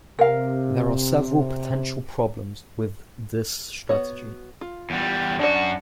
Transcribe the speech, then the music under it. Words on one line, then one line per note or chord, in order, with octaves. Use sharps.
There are several potential problems with this strategy.
C3 A#4 F5
B3 F#4 C#5
F4
E2 G3
F#2 D4 F#4 D5